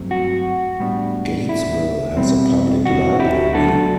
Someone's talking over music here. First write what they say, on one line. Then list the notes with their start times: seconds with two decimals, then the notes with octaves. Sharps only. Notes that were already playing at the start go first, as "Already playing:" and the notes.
Gatesville has a Public Library.
Already playing: G2 F#3 A3 C4
0.11 F#4
0.80 A2 G3 B3 D4
1.49 E4
2.17 B2 G3 C4
2.85 F#4
3.19 E4 G4
3.53 D2 D3 F#3 B3 D4 F#4 A4